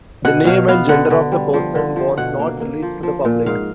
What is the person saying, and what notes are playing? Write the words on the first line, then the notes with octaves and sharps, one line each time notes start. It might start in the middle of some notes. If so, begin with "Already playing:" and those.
The name and gender of the person was not released to the public.
B2 F#5
B2 F5
B3 F5
D3 F#5
D3
G3
F3
D3
F3
B2 F#5
A#3
A#3
F3
F3
A#2
G#2 F5